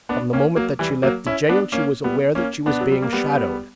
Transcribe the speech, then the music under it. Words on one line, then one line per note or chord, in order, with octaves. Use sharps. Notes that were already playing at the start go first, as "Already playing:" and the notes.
From the moment that she left the jail she was aware that she was being shadowed.
B3 D4
A#3 C#4
F#3 A#3
E3 G3
F#3 A#3
C#4 E4
B3 D4
A#3 C#4
G3 B3
A#3 C#4
B3 D4
F#3
G3
A#3
G3 B3